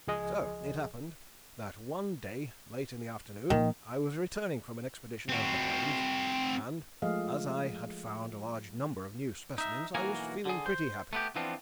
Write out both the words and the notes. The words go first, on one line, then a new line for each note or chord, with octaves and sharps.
So it happened, that one day, late in the afternoon, I was returning from an expedition over the plains, and, as I had found a large number of new specimens, I was feeling pretty happy.
C#2 F3 G#4 D#5 G#5
A#2 D#3 F3
C4 F#4
F3 G#3 A3 G#4 D#5 F5
D#4 E5
B1 E3 A#3 F#4 A#4 G#5
D3 G#4
C5
A3 B3 G4
E3 F3 B3 C4 D4 F4